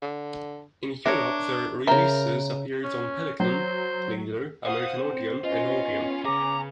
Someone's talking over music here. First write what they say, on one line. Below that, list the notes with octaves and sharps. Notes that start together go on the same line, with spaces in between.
In Europe, their releases appeared on Pelican, Leader, American Odeon and Odeon.
D3
D4 A#4 C#5 E5
C#3 A#4 E5 G5 A#5
C#4
F#3 C5
C5 F5 F#5 D#6
C4
B3 C#4 F4 D#5
C#3 G#4 A#5 D6